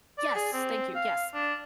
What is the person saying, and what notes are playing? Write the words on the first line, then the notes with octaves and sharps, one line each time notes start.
Yes, thank you, yes,
D5
G#4
C4
F5
D4